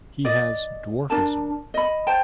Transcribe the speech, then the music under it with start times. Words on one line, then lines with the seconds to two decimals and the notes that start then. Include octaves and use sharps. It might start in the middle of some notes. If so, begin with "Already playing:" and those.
He has dwarfism.
0.25 D5 D#5
1.10 D4 A#4 A5
1.74 D#5 B5
2.07 C5 G5 A5